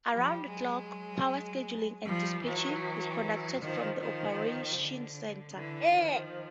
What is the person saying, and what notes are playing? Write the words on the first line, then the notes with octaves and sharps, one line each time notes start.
Around-the-clock power scheduling and dispatching is conducted from the Operations Center.
F3 G3
F#3 G#3
F3 G3
E3 F#3
D#3 F3
D#3 F3
D3
D3 E3
D#3 F3